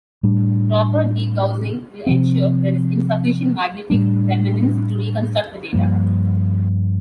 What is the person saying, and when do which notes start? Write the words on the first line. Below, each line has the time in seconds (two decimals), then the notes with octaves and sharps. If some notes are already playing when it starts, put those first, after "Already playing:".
Proper degaussing will ensure there is insufficient magnetic remanence to reconstruct the data.
0.23 A2 G3 D4
2.07 C3 F3 C4
3.90 A2 G3 D4
5.73 G2 F3 A#3